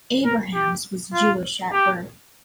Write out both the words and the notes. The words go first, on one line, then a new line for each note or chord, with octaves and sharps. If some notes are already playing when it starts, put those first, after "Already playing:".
Abrahams was Jewish at birth.
A#4
G4
F4
G4